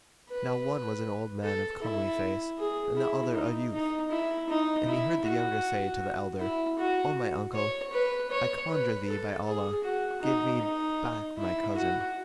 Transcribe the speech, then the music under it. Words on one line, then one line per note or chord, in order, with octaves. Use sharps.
Now one was an old man of comely face and the other a youth; and he heard the younger say to the elder, "O my uncle,, I conjure thee by Allah, give me back my cousin!"
B4
A4
E4
G#4
E4
D#4
D#4
E4
D#4
E4
F#4
E4
F#4
C#5
B4
C#5
B4
A4
G#4
F#4
D#4
D#4
E4
F#4